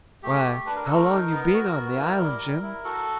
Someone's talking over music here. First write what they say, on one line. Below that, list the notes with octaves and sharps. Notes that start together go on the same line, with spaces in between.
"Why, how long you been on the island, Jim?"
A3 G4
A3
D4 B4
A#4
A3 A4
A#4
D#4
B3
F#4
B3
E4
G3
G3
E4
F#4 A4